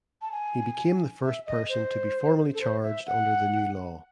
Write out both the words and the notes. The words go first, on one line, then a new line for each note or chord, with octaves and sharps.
He became the first person to be formally charged under the new law.
A5
G#5
E5
D#5
C5
A4
C5
E5
F#5